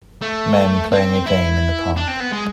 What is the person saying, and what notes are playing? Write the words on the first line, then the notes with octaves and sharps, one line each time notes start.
Men playing a game in the park.
A3
C4
E4
D4
C4
B3
G#3